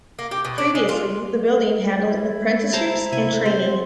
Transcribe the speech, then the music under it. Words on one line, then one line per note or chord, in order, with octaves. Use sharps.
Previously the building handled apprenticeships and training.
A#3
G4
B2
D4
G#3
F4
G#3 E4
C5 A5 A#5
C3 G#5
C4 G4 C5